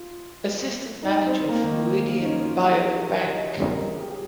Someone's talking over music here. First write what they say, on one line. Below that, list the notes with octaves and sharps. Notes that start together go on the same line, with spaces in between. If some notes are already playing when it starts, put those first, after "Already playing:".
Assistant Manager for Meridian Biao Bank.
Already playing: F4
D#4
C4
A#3
D#3
F3
A#3
D#4
C#4
F4
G4
G#4
A#4
C#5
D#5
C#5
A#4
G#4
G4
G#4